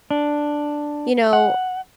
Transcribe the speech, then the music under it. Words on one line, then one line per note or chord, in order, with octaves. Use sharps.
you know,
D4
F#5